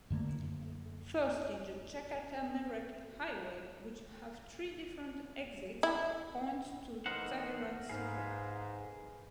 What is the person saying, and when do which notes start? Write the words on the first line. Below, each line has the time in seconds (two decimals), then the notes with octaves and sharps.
Firstly, the Jakarta-Merak highway, which have three different exits points to Tangerang city.
0.10 F#2 D3 A3 A#3
5.83 E4
7.06 E3 B3 D#4 A#4 C5 F#5
7.89 G#2 G#4 B4 F5